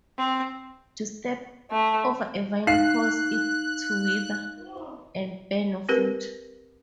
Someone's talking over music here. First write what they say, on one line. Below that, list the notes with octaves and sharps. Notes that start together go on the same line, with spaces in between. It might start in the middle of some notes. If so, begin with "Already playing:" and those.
To step over a vine causes it to wither and bear no fruit.
C4
A3
D#4 F5 F#6 C7
C4 G4 A#4 B4